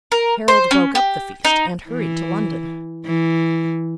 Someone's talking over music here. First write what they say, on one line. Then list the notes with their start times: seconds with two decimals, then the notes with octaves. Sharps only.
Harold broke up the feast and hurried to London.
0.12 A#4
0.48 C5
0.71 C#4
0.95 G4
1.45 D#4
1.89 E3
3.06 E3